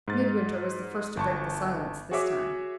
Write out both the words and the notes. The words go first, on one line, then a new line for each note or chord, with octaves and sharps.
Midwinter was the first to break the silence this time.
G#2 A6
G1 A5 C#6
F#4 G#4 C#5 E5 D6